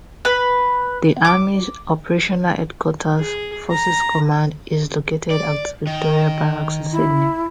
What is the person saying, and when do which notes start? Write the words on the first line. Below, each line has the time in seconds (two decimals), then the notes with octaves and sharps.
The Army's operational headquarters, Forces Command, is located at Victoria Barracks in Sydney.
0.25 B4
1.25 D6
3.18 G#4
3.71 A#5
5.30 D5
5.87 D#3
6.92 E4